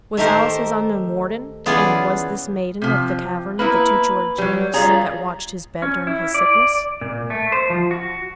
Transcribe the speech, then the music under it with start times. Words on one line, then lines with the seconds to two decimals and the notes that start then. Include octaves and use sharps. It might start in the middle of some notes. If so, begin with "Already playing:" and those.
Was Alice his unknown warden, and was this maiden of the cavern the tutelar genius that watched his bed during his sickness?
0.17 D#3 A3 G4 A#4 C5
1.66 C#3 E3 B3 F4 G#4 D5
2.82 C3 F3
3.59 A#3 B3 E4 B4
4.38 F#3 G3
4.74 G3 F4 G#4 C#5 A#5
5.82 C#4
6.07 E4
6.34 D5
7.01 A#2
7.30 A3
7.52 C5
7.70 F3
7.91 F#4